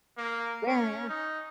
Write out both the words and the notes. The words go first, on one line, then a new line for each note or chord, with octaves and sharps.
Yeah, yeah.
A#3
C#4
D#4